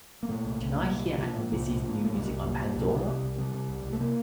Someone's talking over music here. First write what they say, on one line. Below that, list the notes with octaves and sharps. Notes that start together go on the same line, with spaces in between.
Can I hear Anna Vissi's new music on Pandora?
A#3
A#2 A3
C2
C2
A#2
C2 G3
A#2
D#3
A#2 F3
A#2
C2 F3
A#2
A#2
A#2
A3
C2 G3
C2
A#2
A#2
C2 G3
C2
C3
C2
C3 G3
C3
C2
C2
A3
C3 A#3